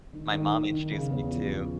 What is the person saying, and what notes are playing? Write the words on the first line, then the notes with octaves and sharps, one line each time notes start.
my mom introduced me to.
D#3
D#3
D#3
D#3
C#3
E2
F3
E2